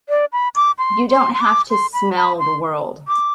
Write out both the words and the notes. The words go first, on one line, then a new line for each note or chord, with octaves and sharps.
You don't have to smell the world!
D5
B5
D6
C6
C6
C6
D6
C6
B5
B5
C6
D6